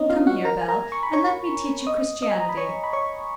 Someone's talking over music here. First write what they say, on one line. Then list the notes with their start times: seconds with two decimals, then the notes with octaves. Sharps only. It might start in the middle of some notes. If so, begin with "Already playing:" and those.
Come here, Bell, and let me teach you Christianity.
Already playing: B3 C#4 D#4 C#5 D#5
0.09 F4 F5
0.27 F#4 F#5
0.45 A#4 A#5
0.61 G#5
0.68 A#4 A#5
0.92 C#6
1.03 B5
1.13 C#5 C#6
1.87 D#5 D#6
2.22 D#5 D#6
2.31 G#5
2.40 A#5
2.49 B5
2.57 C#5 C#6
2.84 B5
2.93 C#5 C#6